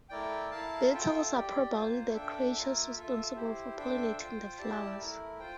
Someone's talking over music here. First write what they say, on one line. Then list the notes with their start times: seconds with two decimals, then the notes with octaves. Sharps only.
Beetles are probably the creatures responsible for pollinating the flowers.
0.09 A3 E4 A#4 D5 G5
0.51 E4 A#4 F5 A5
0.91 F4 A4 E5 G5
1.32 G4 D5 G5
1.73 A#3 F4 C5
2.14 D4 A4 E5 G5
2.54 A#3 F4 A#4 E5
2.96 F4 A4 E5
3.36 E4 G4 C5
3.77 D4 A4 C5 E5 G5
4.18 F4 C5 G5
4.58 E4 G4 D5 A5
4.99 A3 E4 A#4
5.39 F4 C5 G5